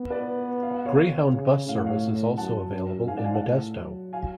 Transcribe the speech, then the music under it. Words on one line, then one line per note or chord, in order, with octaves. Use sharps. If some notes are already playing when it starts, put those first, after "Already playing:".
Greyhound bus service is also available in Modesto.
Already playing: B3
B4 D5
F5
F#5
C#5 F5
C#3
A2 F5
F#5
C#5 F5
F#2 F#5 A5
F#2
G#2 F5 G#5
D5 F#5
F5 G#5
F#5 A5
A2
F#3
F5 G#5